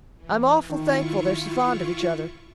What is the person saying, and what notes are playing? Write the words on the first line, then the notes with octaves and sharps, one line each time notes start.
I'm awful thankful they're so fond of each other.
E3
D#3 E4 F4 C#6